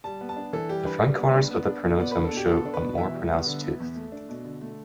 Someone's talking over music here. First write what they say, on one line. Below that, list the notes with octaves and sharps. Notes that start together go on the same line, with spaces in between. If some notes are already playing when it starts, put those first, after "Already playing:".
The front corners of the pronotum show a more pronounced tooth.
G3 A5
B3
A5
D4
E3 A4
G3 G4
D4 B4
G3
B3
D4
B3
D4
B2
B3 D5
B4
D4
A4
B2 G4
B3 A4
D4
B4
B2
E3 E5
G3
B3
D3
B3
E2
A3
D4
B2
D3
A3